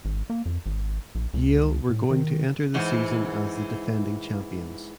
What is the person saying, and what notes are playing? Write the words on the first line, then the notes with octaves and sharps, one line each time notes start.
Yale were going to enter the season as the defending champions.
G#1
A#3
F2
G#1
A#1
C#2
A2
D#3
G#2 E3